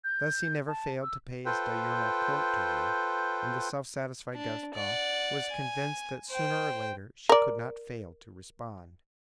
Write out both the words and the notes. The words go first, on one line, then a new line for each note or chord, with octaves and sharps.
Thus he never failed to pay his diurnal court to her; and the self-satisfied Gascon was convinced that sooner or later she could not fail to respond.
G6
A5
E6
F4 A4 B4 C5 G5
D4
D5 F#5
G#5
C5 G5
A#4 D5